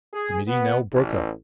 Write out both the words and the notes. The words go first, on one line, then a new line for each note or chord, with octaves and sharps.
The meeting now broke up.
G#4
B3
A1